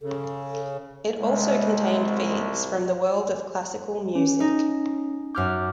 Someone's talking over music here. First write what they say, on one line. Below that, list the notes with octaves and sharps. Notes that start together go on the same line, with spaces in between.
It also contained feats from the world of classical music.
C#3 A4
C2 G#3
C#4
D#4
F#2 D6 F6 G6